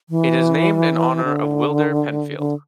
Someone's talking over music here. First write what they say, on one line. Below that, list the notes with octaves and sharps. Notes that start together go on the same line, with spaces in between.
It is named in honour of Wilder Penfield.
E3
D3
D3